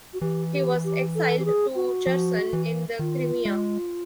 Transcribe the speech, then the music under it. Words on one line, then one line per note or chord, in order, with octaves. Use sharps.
He was exiled to Cherson in the Crimea.
F#4
E3 G4
G4
G4
A4
G4
G#4
F#4
F3
E3
D#3 F4
G#3